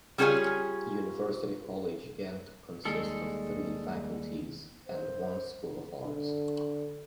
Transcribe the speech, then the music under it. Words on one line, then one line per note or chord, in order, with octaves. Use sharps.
University College Ghent consists of three faculties and one School of Arts.
G3 C#4 F4 G#4 C#5 G#5
D#2 G3 G#3 G#4 A4
C5
D3